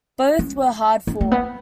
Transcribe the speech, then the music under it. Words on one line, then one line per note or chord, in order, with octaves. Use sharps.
Both were hard fought.
C#4
C#4
A3
B3